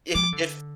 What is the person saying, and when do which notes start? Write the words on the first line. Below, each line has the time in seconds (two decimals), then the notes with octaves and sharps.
if if
0.15 F3 D6
0.33 D3